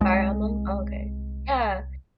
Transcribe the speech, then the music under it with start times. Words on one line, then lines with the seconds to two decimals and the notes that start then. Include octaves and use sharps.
Fire Emblem, oh okay. Yeah,
0.01 C2 G#3